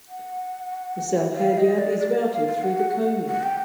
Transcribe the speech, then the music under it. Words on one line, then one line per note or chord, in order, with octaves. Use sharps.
The sail halyard is routed through the coaming.
F#5
F5
D#5
D5
D5
F5
F5
F#5
F#5
G5